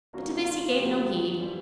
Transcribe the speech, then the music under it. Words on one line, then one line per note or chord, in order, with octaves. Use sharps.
But to this he gave no heed.
F#2 D3 F#3 A#3 F#4
F4
F#4
F4
F#2 D3 F#3 A#3 G4
G4
F#4
E3 G3 C4